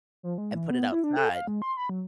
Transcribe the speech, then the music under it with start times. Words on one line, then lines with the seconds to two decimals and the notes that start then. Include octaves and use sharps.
and put it outside,
0.23 F3
0.38 G#3
0.55 E3
0.70 B3
0.92 E4
1.04 D4
1.17 A4
1.29 F5
1.47 G#3
1.62 C6
1.77 B5
1.89 F#3